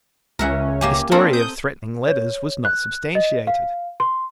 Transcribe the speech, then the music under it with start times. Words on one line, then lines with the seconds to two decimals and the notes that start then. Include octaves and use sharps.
His story of threatening letters was not substantiated.
0.39 C#2 C#4 A#4 E5 F#5
0.81 A#3 G4 G#5
1.11 A#3 C4 D4 A4 A#4
1.33 D#6 G6
2.08 C#5
2.65 F#6
3.15 D#5
3.47 F5
4.00 C6